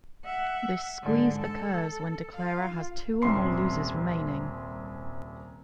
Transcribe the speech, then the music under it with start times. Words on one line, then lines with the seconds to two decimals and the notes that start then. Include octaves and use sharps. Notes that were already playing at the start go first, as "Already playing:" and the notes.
This squeeze occurs when declarer has two or more losers remaining.
0.24 E5 F#5
1.02 G#2 D3
1.42 A4
2.34 F4 F5
3.22 D#1 C2 C4 C#4 C6 C7